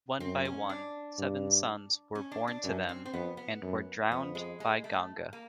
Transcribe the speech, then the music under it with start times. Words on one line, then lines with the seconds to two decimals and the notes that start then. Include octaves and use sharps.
One by one, seven sons were born to them and were drowned by Ganga.
0.20 F#2 C4
0.45 C#4
0.70 D4
1.18 G2
2.15 C#4
2.32 D4
2.48 D4
2.64 F#2 C#4
2.89 C4
3.05 C4
3.13 F2 B3
3.37 B3
3.62 F#2
4.11 F2 B3
4.35 G#3
4.60 G#3
4.84 A3
5.33 A#3